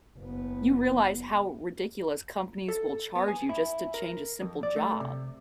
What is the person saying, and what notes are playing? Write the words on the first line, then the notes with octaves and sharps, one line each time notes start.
you realize how ridiculous companies will charge you just to change a simple job.
F#1 B3
A4
B3
G#5
E4
A#4
F2
D5
A3
C3